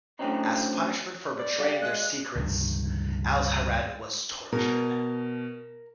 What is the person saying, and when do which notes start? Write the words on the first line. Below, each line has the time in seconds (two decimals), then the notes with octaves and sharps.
As punishment for betraying their secrets, Alhazred was tortured.
0.19 A2 D3 F#3 C4 C#4 D#4
1.39 D5
1.59 G4 D5 F5
1.82 G#3 F#6
2.35 C#2 G2 C3 D#3
4.52 B2 A#4